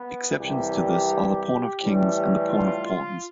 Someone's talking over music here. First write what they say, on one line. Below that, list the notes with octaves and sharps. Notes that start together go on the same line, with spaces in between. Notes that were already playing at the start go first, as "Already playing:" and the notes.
Exceptions to this are the Pawn of Kings and Pawn of Pawns.
Already playing: B3
C2 C3 E3 G3 G4
A2 E3 G3
F4
F4